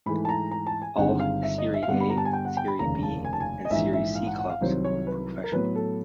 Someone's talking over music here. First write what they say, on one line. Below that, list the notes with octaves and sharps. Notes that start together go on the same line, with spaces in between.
All Serie A, Serie B and Serie C clubs are professional.
G#2 E3 A3 B5
A5
A#5
A#5
A5
G#5
G1 G2 D#3 G#3 C4 F#5
F5
E5
D#5
E5
F5
G2 D3 G3 B3 F#5
B5
A#5
A5
G#5
G5
F#5
G5
B5
F1 D#2 C#3 A#5
A5
G#5
A5
G#5
D#5
A#1 G#2 E3 E5
E5
F5
F#5
F#5
F5
C2 C3 D#3 F#3 C5
C#5
B4
A#4
A2 F#3 B3 B4
A4